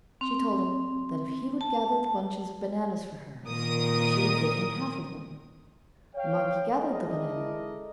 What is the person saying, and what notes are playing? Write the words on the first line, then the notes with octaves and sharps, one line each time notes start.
She told him that if he would gather the bunches of bananas for her she would give him half of them. The monkey gathered the bananas.
C4
A5
A#2 D#3 A#4 D#6
C#5 F5 G5
G#3 E4 A4 A#4 D5 D#5